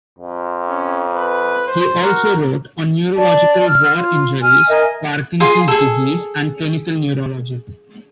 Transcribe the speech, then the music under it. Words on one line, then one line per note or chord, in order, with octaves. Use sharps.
He also wrote on neurological war injuries, Parkinson's disease, and clinical neurology.
F2
C#4
B4
C5
F#4 A#4
D5 A5
E6 F6
F4
G#5 F6
A#4 D#5 E5 G#5
F4 G#4 C6
G#4 A4